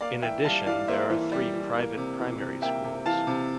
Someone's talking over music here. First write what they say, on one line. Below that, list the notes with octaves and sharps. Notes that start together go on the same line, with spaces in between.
In addition there are three private primary schools.
A#3 D5 F5
E3 E5 G5
G3 F5 A5
E3 D5 F5
A#3 C5 E5
E3
G3
E3
A#3
C3
E3
C3
A#3 E5 G5
C3
E3 F5 A5
C3